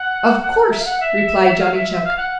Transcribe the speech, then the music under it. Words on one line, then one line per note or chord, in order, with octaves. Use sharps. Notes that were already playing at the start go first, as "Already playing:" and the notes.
"Of course," replied Johnny Chuck.
Already playing: F#5
F#5
E5
F5
F#5
E5
F5
E5
E5
F5
F#5